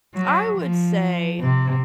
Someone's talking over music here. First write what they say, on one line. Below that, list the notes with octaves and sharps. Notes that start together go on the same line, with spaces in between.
I would say,
F#3
F3
C3